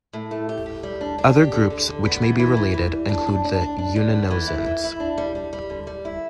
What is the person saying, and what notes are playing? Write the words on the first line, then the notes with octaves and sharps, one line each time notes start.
Other groups which may be related include the yunnanozoans.
A2
A3
G4
G4
G3
D4
D4
G4
D3
D3
D3
B3
E3
E3
E3
E3
G3
D4
D4
D4
D4
D4
D3
B3
E3
E4
E3
E4
D4
G3
G3
G3
D3
G3
E4